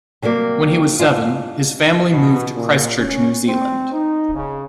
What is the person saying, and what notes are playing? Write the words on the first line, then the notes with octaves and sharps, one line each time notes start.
When he was seven his family moved to Christchurch, New Zealand.
C3 F#3 G3 A#3
G#2 D4 E4 F4
B2
A#2
C#4
C4
D#4
C#3